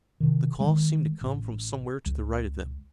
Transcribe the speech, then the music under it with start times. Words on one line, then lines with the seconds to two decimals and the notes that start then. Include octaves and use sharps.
The call seemed to come from somewhere to the right of them.
0.20 C3 D#3
0.60 D#3 G#3
1.21 A1
2.06 C#2